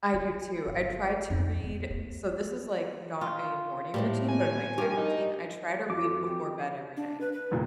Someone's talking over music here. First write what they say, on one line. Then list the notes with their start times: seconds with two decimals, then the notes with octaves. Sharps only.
I do too, I tried to read so, this is, like, not a morning routine, but a nighttime routine, I try to read before bed every night.
0.13 F4
0.66 G1
1.30 F2 D#4
1.64 E2
1.90 A3
3.21 F4
3.94 A2 G3 C5 E5
4.28 G#5
4.78 G2 G4 A#4
4.98 D#4
5.90 F2 F4 F#4 A4 D6
6.24 G4
6.97 D4
7.21 B4
7.33 B4
7.51 C2 F2 A#2